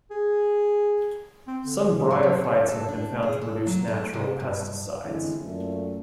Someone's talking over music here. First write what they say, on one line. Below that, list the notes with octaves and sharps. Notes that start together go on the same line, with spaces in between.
Some bryophytes have been found to produce natural pesticides.
G#4
C4
D3
G#3
F#3
D4
A4
D4
G#4
A4
F#3
A3
C3
G2
D3 E3 F3 G#3 C4 E4
F#2 A#2 A3